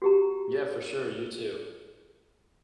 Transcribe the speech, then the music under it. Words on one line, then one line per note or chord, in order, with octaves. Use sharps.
Yeah, for sure, you too.
F#4 G4 A#5